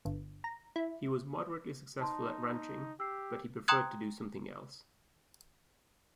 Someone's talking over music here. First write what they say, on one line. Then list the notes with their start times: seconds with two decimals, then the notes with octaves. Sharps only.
He was moderately successful at ranching, but he preferred to do something else.
0.05 G1
0.44 A#5
0.76 E4
2.01 D#4 A5 C6
3.00 G4 E6 C7
3.68 G5 A#5 C6 D#6 F#6 G#6